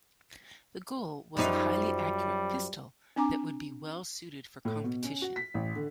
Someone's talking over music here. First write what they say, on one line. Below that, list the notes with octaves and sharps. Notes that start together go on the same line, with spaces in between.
The goal was a highly accurate pistol that would be well suited for competition.
F#2 F3 G3 D#4
C4 D4 G#5 A#5 D6
A2
B2
C#4
F#4
B6
A1
D3